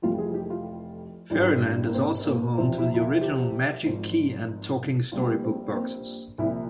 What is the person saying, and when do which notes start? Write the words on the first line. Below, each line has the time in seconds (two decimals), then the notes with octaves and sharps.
Fairyland is also home to the original "Magic Key" and Talking Storybook Boxes.
0.02 F1 F2 E3 G3 F4
0.18 G#4
0.34 G4
0.50 F4
1.30 G#1 G2 E3 G3
1.85 A#3
1.94 C4
2.25 A#3
2.57 E2 C3 F3 C4
2.78 E4
2.94 E4
3.00 F4
3.21 G4
3.84 G#1 G#2 F3
5.12 A#1 A#2 G3 F4
5.43 C4
5.69 A#3
5.75 C4
6.38 C2 A#2 F3 E4